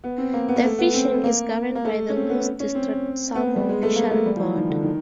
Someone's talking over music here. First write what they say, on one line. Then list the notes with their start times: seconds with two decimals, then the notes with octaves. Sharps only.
The fishing is governed by the Luce District Salmon Fishery Board.
0.04 B3
0.18 C4
0.33 A#3
0.49 B3
0.56 A#3
0.64 A3
0.79 B3
0.94 C4
1.24 A#3
1.75 A#3
1.85 A3
2.09 C#4
2.15 C4
2.30 B3
2.60 C#4
2.75 C4
3.35 B3
3.56 G3
3.69 G#3
3.83 A3
3.96 A#3
4.11 A3
4.26 G3
4.36 F3
4.41 E3
4.56 D#3
4.70 D3
4.83 D#3